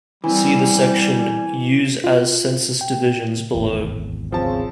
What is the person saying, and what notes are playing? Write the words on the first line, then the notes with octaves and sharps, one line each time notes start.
See the section "Use as census divisions" below.
E3 G3 C4 G#5
F4
G5
D1 G#1 E2
C#3 F3 C4 A5